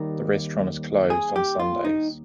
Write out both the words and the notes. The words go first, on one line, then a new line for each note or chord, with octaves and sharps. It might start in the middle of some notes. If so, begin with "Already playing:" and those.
The restaurant is closed on Sundays.
Already playing: D#2 D#3 G3 A#4
G#4
G4
F4
D#4